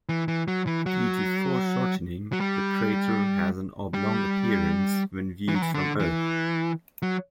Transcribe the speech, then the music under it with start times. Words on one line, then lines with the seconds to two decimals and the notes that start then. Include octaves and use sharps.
Due to foreshortening, the crater has an oblong appearance when viewed from Earth.
0.09 E3
0.28 E3
0.48 F#3
0.67 E3
0.86 F#3
2.33 F#3
2.40 G3
3.94 G3
5.48 E3
5.55 F#3
5.62 E3
5.74 D3
6.00 E3
7.02 F#3